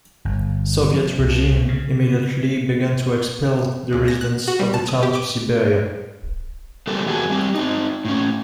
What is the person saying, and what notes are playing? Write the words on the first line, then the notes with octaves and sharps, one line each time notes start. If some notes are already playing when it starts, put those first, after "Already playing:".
Soviet regime immediately began to expel the residents of the town to Siberia.
G1
F3
C2
C#3
C#2
A#6
F#6
F#4
G3
A5
D#6
G4
D6
G3 A3 A#3 C4 G4 A4
E2 F#4 G#4 A#4 G#5 A5
G3 C4 G4
C4 D#4
A2 C#4